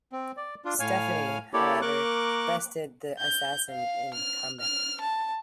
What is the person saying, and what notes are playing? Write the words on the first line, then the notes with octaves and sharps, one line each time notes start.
Stephanie, however, bested the assassin in combat.
C4
D5
D4 F4
A2 C#5 F5 G#5 F6
A#3 E4 G4 A4 C#5 D5
A#3 A#4 C#6 D6 F#6
G6
F5
F6
F6
A5